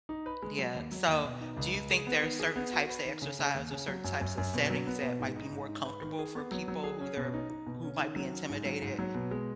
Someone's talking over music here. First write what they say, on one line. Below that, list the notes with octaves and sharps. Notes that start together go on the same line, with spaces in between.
D yeah, so, do you think there are certain types of exercise or certain types of settings that might be more comfortable for people who they're who might be intimidated,
D#4
B4
G#3
F#3
D#2
F#3
D#2
B2
D#4
C#2
C#2
G#4
B3
D#3
G#4
B3
F#4
B4
D#3
C#3
C#3
D#2
C#3
F#3
F#2
F#2
F#2
B2
F#3
B3
B2
G#2
D#4
G#2
G#2
B4
D#3
G#4
B3
F#3
F#3
G#4
C#4
B2
D#4
D#4
B2
C#4
D#3
F#3
C#4
G#2
F#3
G#2
F#3
B2
G#3